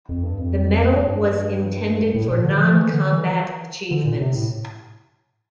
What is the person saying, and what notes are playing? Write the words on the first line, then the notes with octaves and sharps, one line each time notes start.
The medal was intended for non-combat achievements.
F2
G2
F2
G2
A2
A#2
D3
F3
E3
D3
E3
D3
A#2
C3
A2